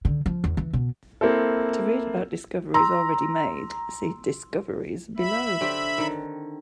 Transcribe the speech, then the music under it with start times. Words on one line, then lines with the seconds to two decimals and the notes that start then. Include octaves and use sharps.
To read about discoveries already made, see "Discoveries" below.
0.05 D3
0.26 F3
0.44 E2
0.57 E3
0.73 B2
1.21 A#3 C4 E4 A4
2.74 A#5 C6 E6
5.17 E5 B5
5.61 D3 C4 G4
5.98 D3 D#3